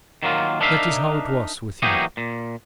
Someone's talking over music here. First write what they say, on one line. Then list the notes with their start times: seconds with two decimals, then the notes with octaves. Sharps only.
That is how it was with him.
0.23 D#3 F#3 A#3 F4
0.61 D4 D#4 A#4 E5 F5
1.82 E3 F#3 A#3 D#4 G4 G#4
2.17 A#2